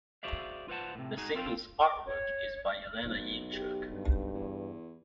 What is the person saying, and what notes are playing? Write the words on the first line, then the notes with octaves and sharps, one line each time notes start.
The single's artwork is by Yelena Yemchuk.
F#4 G#4 C5 D5 E5 F5
F4 B4 C5 F#5 A5
A2 C3
D#4 F#4 G#4
C4 F4 A4 E5 F5 G5
D6
C#5
B1
G4
G2
E2